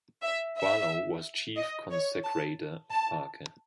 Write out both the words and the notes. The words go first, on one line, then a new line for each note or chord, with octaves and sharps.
Barlow was chief consecrator of Parker.
E5
E5
D#5
C#5
A5
A5